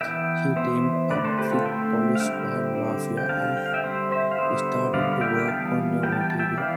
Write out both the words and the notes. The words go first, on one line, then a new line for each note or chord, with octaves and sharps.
She teamed up with Polish band Mafia and started to work on new material.
E3 B3 E5 G5
E3 B3 C5 E5
D3 A3 C4 B4 D5
A4 C5
G4 B4
F4 A4
D3 A3 C4 E5 G5
F5
D3 G3 C4 E5 G5
D3 G3 C4
G5
D3 G3 C4 F5 A5
G5
F5
E5 G5
D3 G3 C4 C5 E5
C5 E5
F5
D3 G3 B3 C5 E5
D3 G3 B3 D5 F5
F5
E5 G5
G5
E3 G3 B3 F5 A5
E3 G3 B3 G5
A5
G5
A5
E5 G5
E3 B3 D5 F5